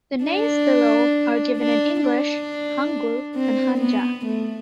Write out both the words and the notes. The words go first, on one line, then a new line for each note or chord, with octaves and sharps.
The names below are given in English, hangul, and hanja.
D4
D4
D4
C4
B3
A3